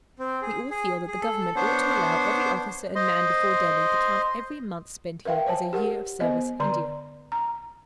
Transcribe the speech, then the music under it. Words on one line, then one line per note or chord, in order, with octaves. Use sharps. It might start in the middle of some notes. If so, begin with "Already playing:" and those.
We all feel that the Government ought to allow every officer and man before Delhi to count every month spent here as a year of service in India.
C4
G#4
G#4
G#4
A4
B3 D4 C5 C#5
C5 D#5 C6
A#4 B4 E5 F5 G5
C5 C#5 G#5 A5
G4 A#4 F#5
B3 C5 D#5
D3 D5 A#5 C6
A#5